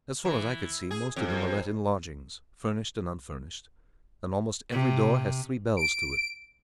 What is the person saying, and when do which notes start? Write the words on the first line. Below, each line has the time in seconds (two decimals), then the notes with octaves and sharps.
As far as I could see most of them are let in lodgings, furnished and unfurnished, and almost every door has three bells to it.
0.25 E3
0.91 G#4
1.16 F2
4.71 C3
5.77 D7